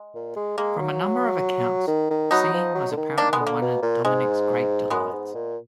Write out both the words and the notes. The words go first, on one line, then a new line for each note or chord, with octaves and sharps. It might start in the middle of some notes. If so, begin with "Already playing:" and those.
From a number of accounts, singing was apparently one of Dominic's great delights.
Already playing: G#3
A#2
G#3
G#3 A#3
F#3
D#3
D#3
F#3 B3 D#4
F3
F#3
D3
D#3
D#3 A#3 D4
G#3 B3
D3
A#3
B2
A#2
G#2 G#3
F#2 G#3 B3
G#2
A#2